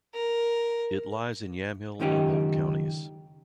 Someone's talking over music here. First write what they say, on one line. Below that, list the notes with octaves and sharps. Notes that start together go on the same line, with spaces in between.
It lies in Yamhill and Polk Counties.
A#4
C#2 F#2 D#3 C#4 D#4 G4